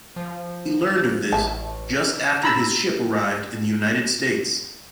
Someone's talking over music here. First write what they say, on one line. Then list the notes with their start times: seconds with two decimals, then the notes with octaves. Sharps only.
He learned of this just after his ship arrived in the United States.
0.16 F3
1.33 A1 E5 A5
2.43 A#5 B5 E6